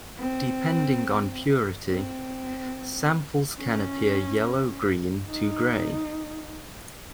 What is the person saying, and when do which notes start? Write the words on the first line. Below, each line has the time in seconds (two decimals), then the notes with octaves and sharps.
Depending on purity, samples can appear yellow-green to grey.
0.19 C4
1.89 C4
3.58 C#4
5.28 D#4